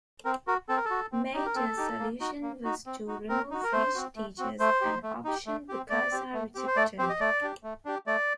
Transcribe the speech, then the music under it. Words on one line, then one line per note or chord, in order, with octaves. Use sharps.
Maidou's solution was to remove French teachers, an option Bokassa rejected.
C4 A#4
F#4 A#4
C4 A4
A#4
A4
F#4
C4
D#4 G4
A#4
C4 A4
D#4 G4
A#3
D#4 F#4
A#3
D#4 F#4
C4
D#4 F#4
C4 A#4
D#4 F#4
A#4
A3 C5
C4 F#4
A3
C4 F#4
A3 C5
D#4 G4
A3
D#4 G4
A3
C4 G4
A3 D5
C4 G4
A3
C4 G4
C5
A3 D5
C4 G4 C5
D#5
A3 D5
D4 G4
A3
D4 G4
A3 D5